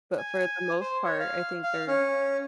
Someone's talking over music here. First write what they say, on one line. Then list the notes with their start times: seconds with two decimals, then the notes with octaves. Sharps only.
But for the most part, I think they're
0.18 G#5
0.80 C5
1.05 C#5
1.20 F5
1.63 F5
1.88 C#4